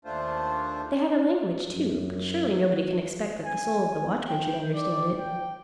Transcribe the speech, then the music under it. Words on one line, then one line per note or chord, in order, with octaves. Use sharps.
They had a language too; but surely nobody can expect that the soul of the watchman should understand it.
D#2 A3 D4 F4 C5
F#2
G#5
G5
D5
G5